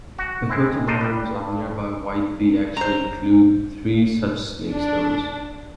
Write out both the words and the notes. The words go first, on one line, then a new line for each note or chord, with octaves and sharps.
The coat of arms of nearby Whitby actually include three such 'snakestones'.
F#4
G#3 C4 E4
D4 D#4 F4 C5 D#5
G3 B4
G2
C5 A#5
D4